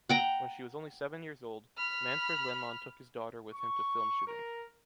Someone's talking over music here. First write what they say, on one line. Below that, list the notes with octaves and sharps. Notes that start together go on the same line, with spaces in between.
When she was only seven years old, Manfred Lehmann took his daughter with him to film shooting.
F#5 G5 A#5
B5 F6
C#6
A#4